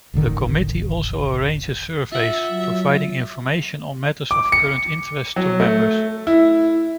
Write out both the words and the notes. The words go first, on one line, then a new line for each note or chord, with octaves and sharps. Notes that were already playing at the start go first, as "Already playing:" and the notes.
The committee also arranges surveys providing information on matters of current interest to members.
E1 A1 D3 D#3
F4 E5 F#5
F#3
D6
C#7
F#3
A3
E4